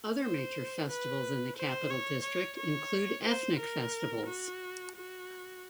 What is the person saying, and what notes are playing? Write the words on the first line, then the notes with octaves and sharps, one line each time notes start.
Other major festivals in the Capital District include ethnic festivals.
C5
B4
C5
C#5
C#5
C#5
C5
A#4
F#4
F#4